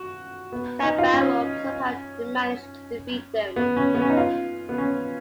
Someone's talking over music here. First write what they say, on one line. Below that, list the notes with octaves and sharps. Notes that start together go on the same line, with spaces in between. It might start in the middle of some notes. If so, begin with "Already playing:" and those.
Khabarov somehow managed to defeat them.
Already playing: F#4
B3
D#4
F4
C#4
B3
C#4
B3
C#4
D#4
F4
B3
C#4